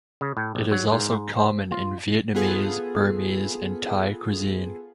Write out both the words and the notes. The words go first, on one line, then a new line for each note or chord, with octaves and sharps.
It is also common in Vietnamese, Burmese and Thai cuisine.
C#3
A2
A#1
F#3
G#2
C5
F4
B3 F4 G#4 A4 B4